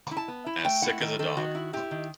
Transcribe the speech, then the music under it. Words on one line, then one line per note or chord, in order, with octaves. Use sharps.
As sick as a dog.
E4
A5
B3
E4
A3 G5
E4 F#5
D#3 A4
D#3 A4
D#3 F#4
E4
E4 G4
D#3